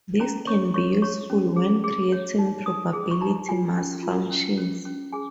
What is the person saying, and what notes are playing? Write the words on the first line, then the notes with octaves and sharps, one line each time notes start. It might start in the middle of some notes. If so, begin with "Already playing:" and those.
This can be useful when creating probability mass functions.
C#4 A#5
C#5 C#6
C#5 C#6
C#5 C#6
C#4
G#4
G#4
C#5
D#4
D#4 D#6
G#4
C#6
D#4 A#5
F4 G#5
C#4
F4
C#4
C#4
C#4
G#4 G#5